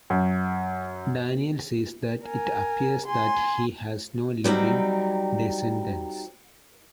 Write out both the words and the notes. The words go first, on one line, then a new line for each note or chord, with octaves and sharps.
Daniell says that it appears that he has no living descendants.
F#2
A#4 G#5
G#5 C6
F#3 G3 C4 D#4